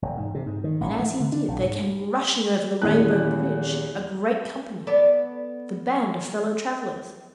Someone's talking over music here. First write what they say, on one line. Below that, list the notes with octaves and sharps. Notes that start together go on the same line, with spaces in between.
And as he did there came rushing over the Rainbow Bridge a great company--the band of fellow travellers.
E1
G#2
C3
G#2
D#3
A1
A3
D3
D4
B1
G#2
D#1 E2 E4 F#6
B3 A4 D5